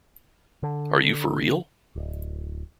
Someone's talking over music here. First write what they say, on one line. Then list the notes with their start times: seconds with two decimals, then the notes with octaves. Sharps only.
Are You for Real?
0.63 D3
1.96 D1